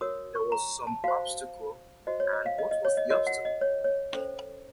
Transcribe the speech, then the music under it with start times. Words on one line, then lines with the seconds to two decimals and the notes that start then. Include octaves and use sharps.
There was some obstacle; and what was the obstacle?
0.01 F#4 A#4 C#5 D#6
0.35 C#6
0.52 A#5
0.87 A5
1.04 F#4 C5 F5
2.07 F#4 C5 D#5
2.20 C#5
2.33 D#5
2.46 F5
2.58 D#5
2.71 D#5
2.85 C#5
2.97 D#5
3.10 F#4 A#4 C#5 D#5
3.27 F#5
3.45 D#5
3.61 C#5
3.84 C#5
4.13 C#4 A4 C5